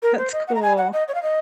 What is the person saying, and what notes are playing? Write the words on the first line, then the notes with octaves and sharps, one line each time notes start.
That's cool.
A#4
C5
D#5
F#5
A#5
G#5
F#5
D#5
C#5
F5
D#5